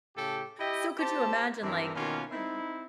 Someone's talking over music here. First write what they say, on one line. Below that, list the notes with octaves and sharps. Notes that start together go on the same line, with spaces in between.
So could you imagine, like, uh,
A2 C#3 G4 A4 G5
E4 G4 D#5 E5 G5
G4 C5 A5
G2 E3 C4 A#4 E5
B2 D#3 A#3 C#4 F4
C4 D#4 E4